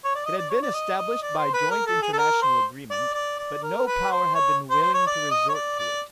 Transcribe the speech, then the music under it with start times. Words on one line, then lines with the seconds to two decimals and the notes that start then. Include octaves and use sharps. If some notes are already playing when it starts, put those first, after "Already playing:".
It had been established by joint international agreement, but no Power had been willing to resort to it.
0.05 C#5
0.15 D5
0.26 D#5
0.38 D5
0.50 C#5
0.62 D5
0.74 D#5
0.98 D#5
1.22 D5
1.38 C5
1.54 B4
1.70 A#4
1.86 A4
2.02 G#4
2.13 A4
2.18 A#4
2.42 C5
2.91 D5
3.14 D5
3.38 D5
3.63 A#4
3.87 B4
4.11 C5
4.34 C#5
4.70 C5
4.82 C5
4.94 C#5
5.07 D5
5.31 D#5
5.49 C#5
5.54 D5
5.78 D5